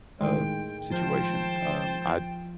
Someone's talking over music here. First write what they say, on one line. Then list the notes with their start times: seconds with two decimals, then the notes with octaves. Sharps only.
uh, situation. Um, I
0.21 A2 D#3 G#3 G5 C6
0.92 F3 F4 C5 G5 A5